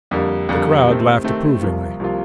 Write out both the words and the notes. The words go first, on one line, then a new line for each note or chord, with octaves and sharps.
The crowd laughed approvingly.
F2 D3 G3 A#3
F2 D3 G3 A#3
C3 D#3 A3 C4
C3 D#3 A3 C4
C2 C3 F3 A#3 F4
C2 C3 F3 A#3 F4